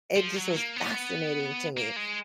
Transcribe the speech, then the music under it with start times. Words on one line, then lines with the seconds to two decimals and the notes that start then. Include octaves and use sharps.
it just was fascinating to me.
0.16 F3
0.36 F#3
0.56 A#3
0.76 B3
1.77 A#3
1.96 G#3